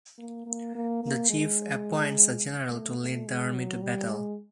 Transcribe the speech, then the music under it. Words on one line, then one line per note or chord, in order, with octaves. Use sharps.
The chief appoints a general to lead the army to battle.
A#3
A#3
A#3
A#3
G#3
A3
A3
G#3
F#3
G3
G#3